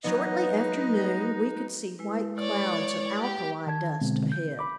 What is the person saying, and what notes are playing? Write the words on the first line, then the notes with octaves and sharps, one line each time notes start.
Shortly after noon we could see white clouds of alkali dust ahead.
F#3 B3 D#4 B4 D#5
G#3 E4 B4
C#5 D5
G4
D#3 A5 G#6
B2 D3 G#3 B3 C4
G6
B5 D6